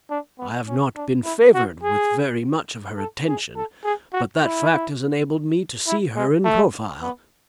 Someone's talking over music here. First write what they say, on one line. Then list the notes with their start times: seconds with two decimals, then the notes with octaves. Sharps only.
I have not been favoured with very much of her attention, but that fact has enabled me to see her in profile.
0.10 D4
0.39 B3
0.68 C#4
0.96 D4
1.25 E4
1.54 F#4
1.83 G#4
2.98 A4
3.28 G#4
3.56 A4
3.84 G#4
4.13 F#4
4.43 E4
5.87 E4
6.16 G#3
6.44 A3
7.02 B3